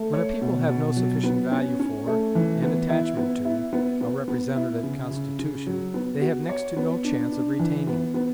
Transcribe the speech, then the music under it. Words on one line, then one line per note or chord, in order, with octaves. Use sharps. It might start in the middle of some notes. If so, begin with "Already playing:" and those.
When a people have no sufficient value for, and attachment to, a representative constitution, they have next to no chance of retaining it.
Already playing: A3
C#5
B2
B2
F#3
B3
C#4
C#4
A3
E3
B3
E4
B3
E4
B3
B3
B3
E4
C#3
C#3
C#3
F#3
B3
F#4
C#5
B3
D4
D4
E3
B3
B3